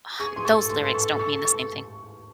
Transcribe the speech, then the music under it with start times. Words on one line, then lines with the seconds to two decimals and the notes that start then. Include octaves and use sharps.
Um, those lyrics don't mean the same thing.
0.19 G#4 C#6
0.36 C6
0.45 A4 C#6
0.70 C6
0.84 C6
0.94 C#6
1.19 C#6
1.45 C#6